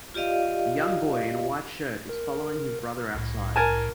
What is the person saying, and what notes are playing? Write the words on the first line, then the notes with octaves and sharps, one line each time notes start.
A young boy in a white shirt is following his brother outside.
F4 G4 D5 D#5 F5
A#4
C2 A2
A#4 G#5 A5